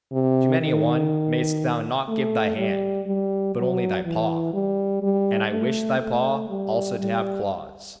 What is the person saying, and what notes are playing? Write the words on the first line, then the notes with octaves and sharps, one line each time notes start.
To many a one mayest thou not give thy hand, but only thy paw; and I wish thy paw also to have claws.
C3
D#3
A3
G3
G3
F#3
E3
G3
G3
A3
A3
G3
G3